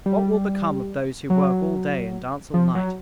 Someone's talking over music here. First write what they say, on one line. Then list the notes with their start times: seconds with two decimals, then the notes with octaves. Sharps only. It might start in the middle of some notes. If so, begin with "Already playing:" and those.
What will become of those who work all day and dance all night?
0.06 G3
1.30 F#3
2.54 F3
2.75 F#3